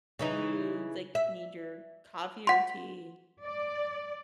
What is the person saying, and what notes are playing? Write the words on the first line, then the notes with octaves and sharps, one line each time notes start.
You, like, need your coffee or tea?
C#3 E3 D#4
E5
F#5 C6
D5